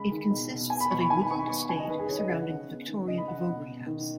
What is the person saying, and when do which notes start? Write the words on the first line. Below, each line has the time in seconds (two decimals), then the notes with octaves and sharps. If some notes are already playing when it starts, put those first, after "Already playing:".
It consists of a woodland estate surrounding the Victorian Vogrie House.
Already playing: C#3 G#3 B5
0.11 D#3
0.31 B2
0.50 B2
0.70 B3 G#5
0.80 B5
0.91 B2 C#6
1.00 B5
1.10 D#3 G#5
1.21 B5
1.30 D#3 C#6
1.39 B5
1.49 B3 C#6
1.69 C#3 G#5
1.79 D#5
1.89 D#3 B4
2.00 G#4
2.08 D#3 C#5
2.19 D#5
2.28 C#3 F#5
2.49 C#3
2.68 B3
2.88 D#3
3.07 C#3 D#5
3.18 B5
3.27 C#3 F#5
3.38 D#5
3.47 B2
3.67 B2
3.86 D#3